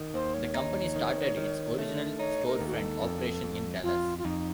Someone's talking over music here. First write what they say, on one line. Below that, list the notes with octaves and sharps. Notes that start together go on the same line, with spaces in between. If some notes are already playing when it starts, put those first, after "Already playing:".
The company started its original storefront operation in Dallas.
Already playing: D#3
D#2 C5
C#5
D#4
D#3
D#3
A3
D#4 C#5
A#4
D#2
F#4
A4
F2
F2
F2 F4
F4
F2 D#4